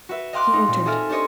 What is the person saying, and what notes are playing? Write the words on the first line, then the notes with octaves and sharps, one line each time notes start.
He entered.
F#4 B4 E5
D#5 F5 G5 C6 D6 F#6
D#4
A#2 C4
F#4 G#4 A4 E5 F6
D4 G4 C5 C#5 D#5